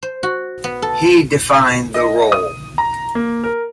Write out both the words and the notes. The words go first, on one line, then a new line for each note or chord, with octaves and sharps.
He defined the role.
C5
F#4
B3
A4
D#5
D#6
A#5
A#3
A#4